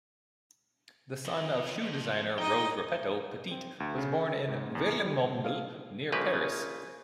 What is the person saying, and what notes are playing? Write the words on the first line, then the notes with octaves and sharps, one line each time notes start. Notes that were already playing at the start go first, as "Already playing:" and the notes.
The son of shoe designer Rose Repetto, Petit was born in Villemomble, near Paris.
F2
F2
D#4 D#5 G5
C4
D2
C#3
A4
G#2
E2
G3
G#1
F5
A#1 C#3 F3 A#3 G4 B4